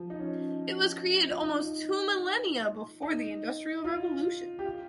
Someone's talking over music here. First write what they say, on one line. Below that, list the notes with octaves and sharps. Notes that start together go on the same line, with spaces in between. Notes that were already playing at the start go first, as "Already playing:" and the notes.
It was created almost two millennia before the industrial revolution.
Already playing: F3
D#4
C#4
F4
D#4
D#4
F4
G4
F4